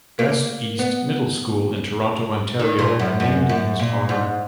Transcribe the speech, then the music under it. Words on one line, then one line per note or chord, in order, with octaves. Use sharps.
Best East Middle School in Toronto, Ontario, are named in his honour.
A#3
B3
D#3
A#2
F#2
F#2
F#2
A#2
G#2